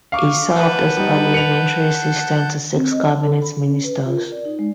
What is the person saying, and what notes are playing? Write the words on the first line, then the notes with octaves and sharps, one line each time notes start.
He served as parliamentary assistant to six cabinet ministers.
F5 C#6 D6
B4 F#5 A5 G6
G3 D#4
C#7 F7
C4
D#5
A5
A4
B5
C#4
B4
F4
A#4
D5
D#4
G#3